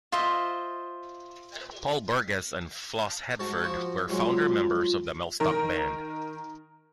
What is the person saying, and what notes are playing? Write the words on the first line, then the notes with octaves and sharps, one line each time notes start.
Paul Burgess and Flos Headford were founder-members of the Mellstock Band.
F4 C5 D#5 E5
G#2 F#4 A5
F3 F#4
G#2 F#3 G#3 F4
D#3 A#4